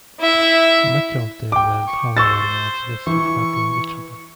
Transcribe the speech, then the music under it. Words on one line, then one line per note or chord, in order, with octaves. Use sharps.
Much of their wealth, however, was wasted fighting each other.
E4 E5
G5 D6
C#6
C5 C#6 E6 A6
E3 C#6